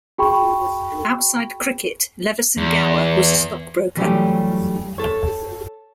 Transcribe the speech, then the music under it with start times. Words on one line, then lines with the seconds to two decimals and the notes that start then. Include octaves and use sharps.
Outside cricket, Leveson Gower was a stockbroker.
0.18 F#4 G#4 G5 B5 C#6
2.57 E2
3.97 E3 F#3 G3 A3 C#4 G4
4.98 A4 C#5